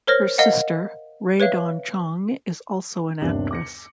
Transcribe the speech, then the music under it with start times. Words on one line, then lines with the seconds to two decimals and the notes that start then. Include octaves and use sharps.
Her sister Rae Dawn Chong is also an actress.
0.07 A#4 C5 C#5 F6 A#6
0.38 A#4 D#5 F5 F#5
1.40 B4 C#5 E5 F5
3.22 G1 D#2 C3 D4 F#7
3.51 D6 A#6 C#7